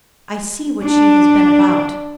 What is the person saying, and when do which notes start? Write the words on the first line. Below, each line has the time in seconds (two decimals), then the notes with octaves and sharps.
I see what she has been about.
0.85 D4